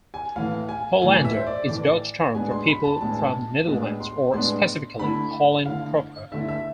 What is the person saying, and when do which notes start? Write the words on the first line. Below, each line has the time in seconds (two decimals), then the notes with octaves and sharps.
"Hollander" is a Dutch term for people from the Netherlands, or specifically Holland proper.
0.14 G#5
0.36 A2 E3 A3 F5
0.69 G#5
1.02 A2 E3 A3 G#5
1.24 E5
1.37 C5
1.47 D5
1.68 A2 E3 A3 D5
2.35 A2 G#3 B3 D4 G#5
2.51 C6
2.68 B5
2.84 A5
3.01 A2 G#3 B3 D4 A5
3.09 G#5
3.18 A5
3.67 A2 G#3 B3 D4
4.00 C6
4.33 A2 G#3 B3 D4 C6
4.99 D3 A3 E4 B5
5.66 D3 A3 E4 F5
6.32 D3 A3 E4 E5
6.48 E5